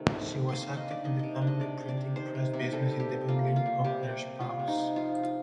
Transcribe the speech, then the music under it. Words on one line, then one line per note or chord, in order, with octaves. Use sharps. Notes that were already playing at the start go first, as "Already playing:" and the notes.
She was active in the family printing press business independently of her spouse.
Already playing: C3 D#3 A3
C4
C4
A#3 C6
D#3 F5
D#5
D4 D5
D#3 D#5
C3 D#5
D4
D#5
C3 D5
C3
D5
C3
D#3 C5
C3
C3
G3 A4
G3
G4
G3
A#3 F4
A#3
F4
G3
C3 G4
C3
C3
G3 F4
C3
D#4
C3
F3 F4
D#4
F4